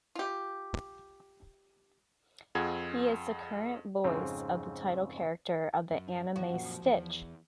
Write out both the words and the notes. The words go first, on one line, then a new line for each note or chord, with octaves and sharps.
He is the current voice of the title character of the anime Stitch!
F4 G4
F2 F4 G#4 F#5 G#6
F2 G#2 C#3 C4
F#2
E2 E3 F3 F#4
F#2 A#2
E2